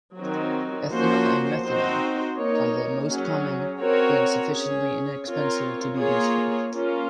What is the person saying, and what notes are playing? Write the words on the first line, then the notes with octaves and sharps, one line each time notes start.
Ethanol and methanol are the most common, being sufficiently inexpensive to be useful.
D#3 F#3 C4 D#4 F#4
F3 A#3 C#4 F#4 C5
C4 D#4 F#4 C5
A#3 D#4 A#4 C#5
F#3 C#4 G#4
C4 F#4 A#4 C#5
C#4 G#4 C#5
C4 F4 A#4 C#5
A#3 F4 G#4 C#5
A#3 C#4 F4